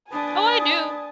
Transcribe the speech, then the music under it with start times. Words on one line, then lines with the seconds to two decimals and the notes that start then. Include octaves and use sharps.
Oh, I do,
0.12 D4 B4 G#5 A5 D#6